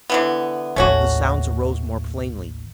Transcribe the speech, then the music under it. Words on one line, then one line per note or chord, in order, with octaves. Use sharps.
The sounds arose more plainly.
D3 E3 B3
A1 D#2 A3 C#4 F#4